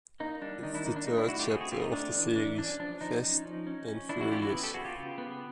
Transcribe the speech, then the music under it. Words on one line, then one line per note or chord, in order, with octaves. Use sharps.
It’s the third chapter of the series "Fast and Furious".
A#3 D#4
G3 D4
D#3 D#4
D4 E4
A#3 D#4
D4
A3 D#4
D4 E4
A3 E4 F#4
F4 G4
C4 F#4 G#4
F#4 G#4
C4 F4 G4
D#4
A3 D4
E3 D4
E3 D4
C#4 D4
F3 D4
F3 D#4
C#4
F3
C#4
C#4
E3 D4 E4
E4 F#4
C#4 F4 G4
E4 F#4
B3
G4 A4
B3 F#4 G#4
F4 G4
C#3
B3